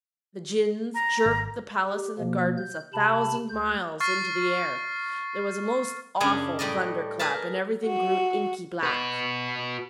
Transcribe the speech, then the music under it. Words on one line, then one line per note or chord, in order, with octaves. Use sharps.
The Djinns jerked the Palace and the gardens a thousand miles into the air: there was a most awful thunder-clap, and everything grew inky-black.
A#5
G#1
G4
B2 F3 A#3
G6
C3 A5 B5
D2 G6
C#6 F6 A6 C7
F#2 C#3 D4 G#4 G#5
A2 G3 D5 D#5
G#4 A#4 B4 A5
F#4
F#4 B4